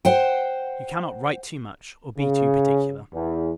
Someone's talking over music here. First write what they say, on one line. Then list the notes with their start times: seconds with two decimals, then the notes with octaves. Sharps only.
You cannot write too much, or be too particular.
0.05 C5 F#5 G5
2.17 C#3
3.14 E2